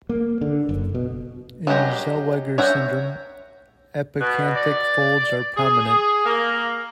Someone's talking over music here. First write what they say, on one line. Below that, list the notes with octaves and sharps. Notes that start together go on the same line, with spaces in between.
In Zellweger syndrome, epicanthic folds are prominent.
A#3
D3
F#1
B2
F#3 G#3 F#4 G4 A#5
C#5 E5 F#5 G5 A#5
B2
D5
G#4
A#3